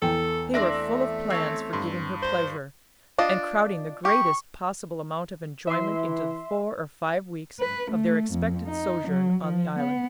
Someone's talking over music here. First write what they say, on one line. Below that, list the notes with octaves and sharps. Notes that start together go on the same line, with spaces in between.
They were full of plans for giving her pleasure, and crowding the greatest possible amount of enjoyment into the four or five weeks of their expected sojourn on the island.
E2 A4 G5
A3 C4 D4 D5 E5 A#6
C4 C#5 A5
G2 C6
C5
D4 F4 D#5
G4 C#6
E3 E5 C6
B4
A3
F2
D#4
F#3
F3
B3